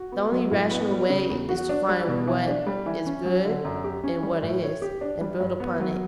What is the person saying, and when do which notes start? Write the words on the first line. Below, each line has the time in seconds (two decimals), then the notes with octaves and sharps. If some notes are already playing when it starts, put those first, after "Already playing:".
The only rational way is to find what is good in what is, and build upon it.
Already playing: F#4
0.12 B3
0.32 F#3
0.51 A2
0.71 B3
0.91 G3
1.10 C#3
1.30 E2
1.49 F#4
1.69 D4
1.89 G3
2.08 B2
2.27 E3
2.47 D4
2.67 G3
2.86 E3
3.06 C#4
3.25 F#3
3.45 D3
3.65 F#2
3.84 G4
4.04 C#4
4.23 G3
4.43 A2
4.62 C#5
4.82 G4
5.01 D4
5.21 G3
5.40 G2
5.60 B3
5.80 F#3